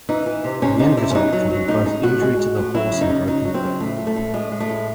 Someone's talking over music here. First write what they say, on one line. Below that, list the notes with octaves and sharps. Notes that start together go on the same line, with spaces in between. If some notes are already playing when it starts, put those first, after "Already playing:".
The end result can be both injury to the horse and broken equipment.
E3 D#4
E3
C3
C3 C#4
C3 D#4
C3 E4
C#4
F#3 D#4
F#3
F#3
A2 D#4
G#3 D#4
A2 F#4
G#3
G#3
A2
F#3 E4
C#3
D#4
C#3
F#3 D#4
F#3
C4
C#3
A2 A3
A2
A3
A2
A2 G#3
G#3
A3
A2